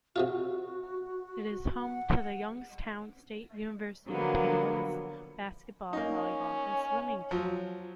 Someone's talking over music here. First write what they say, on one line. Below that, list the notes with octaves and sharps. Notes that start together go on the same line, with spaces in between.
It is home to the Youngstown State University Penguins basketball, volleyball, and swimming teams.
C3 F#3 F4 F#4
F#5
D3 F3 F#3 A#3 B3
A#3 C#4 D#4
F3 F#3